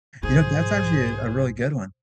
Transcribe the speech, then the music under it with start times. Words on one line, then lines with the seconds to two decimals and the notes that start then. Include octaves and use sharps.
You know, that's actually, uh, a really good one.
0.23 B1 G#2 G#4 C5